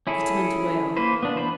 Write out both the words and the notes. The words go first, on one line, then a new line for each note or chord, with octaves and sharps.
It went well.
C#4 E4 G#4 A4
A#3 B4 C5
B3 D4
E3 C5 B5